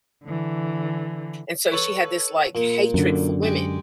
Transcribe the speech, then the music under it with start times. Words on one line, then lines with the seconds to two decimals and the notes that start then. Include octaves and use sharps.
and so she had this, like, hatred for women,
0.24 D3 E3
1.72 A4 B4 C#5
2.55 A#2
2.94 F#2 D3
3.42 G#3 G4